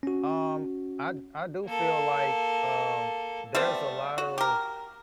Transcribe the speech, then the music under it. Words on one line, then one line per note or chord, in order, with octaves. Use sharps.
Um, I d I do feel like, um, there's a lot of,
C#4 F#4
A#3 A4
G3 A3 B3 C4
F#4
G4 A#4